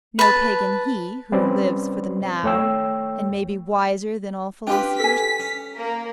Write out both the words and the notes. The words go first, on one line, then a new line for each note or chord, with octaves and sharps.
No Pagan he, who lives for the Now, and may be wiser than all philosophers.
B4 A5
G3 C4 C#4 B4 C5 D5
D#2 A3 C#5 G5 E6
D4 F4 G4 B4 G5
A4 G#5 B6
C#4
A#3 A#4